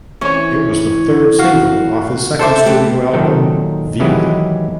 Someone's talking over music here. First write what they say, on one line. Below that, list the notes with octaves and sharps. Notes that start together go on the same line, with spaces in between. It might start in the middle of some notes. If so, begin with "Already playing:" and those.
It was the third single off his second studio album "V".
E3 C4 C#4 C#5
F#4 F5
D4 A4 C5 E5 D6
A3 G4 B4
A#2 D#3 F#3 A4 G5
D#3 E3 F#3 G#3 E4 G4